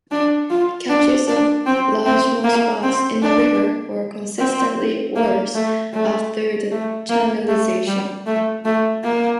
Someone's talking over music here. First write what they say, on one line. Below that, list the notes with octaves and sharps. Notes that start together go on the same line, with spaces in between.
Catches of largemouth bass in the river were consistently worse after the channelization.
D4
F4
D4
D4
C4
C4
A#3
C4
D4
C4
A#3
A3
A3
A3
A#3
A3
G3
A3
A3
A#3